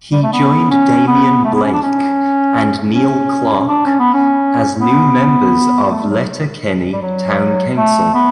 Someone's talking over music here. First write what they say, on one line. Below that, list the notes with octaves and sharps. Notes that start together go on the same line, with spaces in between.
He joined Damien Blake and Neil Clarke as new members of Letterkenny Town Council.
G3
A3
B3
C#4
B3
A3
B3
C#4
D4
C#4
C#4
C#4
D4
C#4
B3
C#4
B3
G3
A3
F#3
G3
F#3
A3
B3